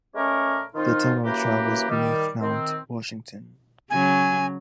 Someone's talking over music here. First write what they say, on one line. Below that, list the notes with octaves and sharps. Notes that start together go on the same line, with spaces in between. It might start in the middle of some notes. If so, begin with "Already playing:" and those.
The tunnel travels beneath Mount Washington.
G#3 A3 C#4 A#4 C#5 D5
D#3 C4 D#4 F4
F#2 E3 A#3 G4 B4 A#5
D#3 G3
D#3 C4
C#3 F#3 G#5